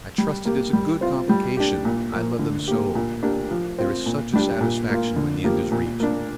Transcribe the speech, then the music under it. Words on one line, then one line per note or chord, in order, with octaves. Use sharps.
I trust it is a good complication--I love them so--there is such a satisfaction when the end is reached.
G3
A#3 G4
G3
C4 F4
G3
D4 G4
A#2
F3 A#3
D3
A#3 G4
A#2
A#3 D4 G4
F3
C4 F4
A#2
G3 D4 G4
A#2
A#3 F4
D3
F3 A#3 G4
A#2
A#3 D4